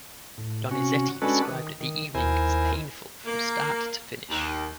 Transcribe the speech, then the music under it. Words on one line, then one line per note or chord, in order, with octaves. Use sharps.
Donizetti described the evening as "painful, from start to finish".
A2
C3 C#4 F#4
G#3 C#4 D4 F#4 A4 B4
D#3
D#3
D#2 E4 A#4 C5 G#5
A#3
D#2